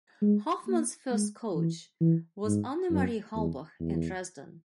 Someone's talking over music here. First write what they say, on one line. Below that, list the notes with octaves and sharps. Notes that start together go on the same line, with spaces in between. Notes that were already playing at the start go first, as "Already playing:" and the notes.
Hoffmann's first coach was Annemarie Halbach in Dresden.
G#3
A#3
G#3
E3
E3
G#2
F#2
E2
E2